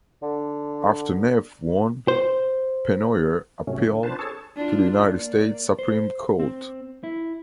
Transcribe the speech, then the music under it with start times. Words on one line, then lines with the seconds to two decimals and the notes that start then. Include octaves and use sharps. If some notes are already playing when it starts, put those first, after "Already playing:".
After Neff won, Pennoyer appealed to the United States Supreme Court.
0.22 D3
2.08 C5
3.67 G#2 C3 F#3 A3 C#4
3.90 D3
4.03 C4 D4 F4 B4 C5 A5
4.19 G#4 A4 C#5 A5
4.57 D4 F4
5.10 A#3 D5
5.79 C5
6.40 C4
7.04 E4